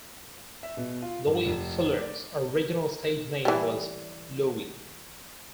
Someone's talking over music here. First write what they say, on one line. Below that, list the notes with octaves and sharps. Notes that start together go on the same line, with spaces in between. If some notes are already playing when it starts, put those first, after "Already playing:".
Loie Fuller's original stage name was "Louie".
E5
B2
F4
G2
F1
D5
E3 G3